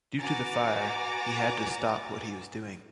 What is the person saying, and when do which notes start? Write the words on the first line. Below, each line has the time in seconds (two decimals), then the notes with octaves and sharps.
Due to the fire, he had to stop what he was doing.
0.21 F#4 B4 G#5 A#5 D6 A6